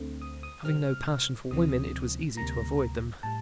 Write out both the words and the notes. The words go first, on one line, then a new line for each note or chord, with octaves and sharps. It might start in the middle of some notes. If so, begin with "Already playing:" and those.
Having no passion for women, it was easy to avoid them.
Already playing: D2 D3 A3 C4
D#6
D#6
C3 G3 C4 F6
D2 C3 F3 C4 D#6
D2 C3 G3 A#3 A#5
A2 G3 A5